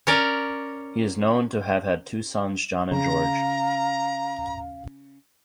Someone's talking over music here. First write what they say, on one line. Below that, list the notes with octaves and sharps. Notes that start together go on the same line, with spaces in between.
He is known to have had two sons John and George.
C#4 A#4 D5
C#3 F5 A#5